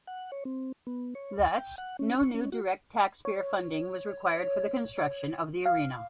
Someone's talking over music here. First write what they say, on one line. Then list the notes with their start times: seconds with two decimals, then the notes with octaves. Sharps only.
Thus, no new direct taxpayer funding was required for the construction of the arena.
0.07 F#5
0.32 C#5
0.45 C4
0.87 B3
1.15 C#5
1.39 D2
1.54 G5
1.78 F#5
1.99 C#4
2.20 C#6
2.34 C#4
2.52 F#4
3.25 C#5
5.66 F5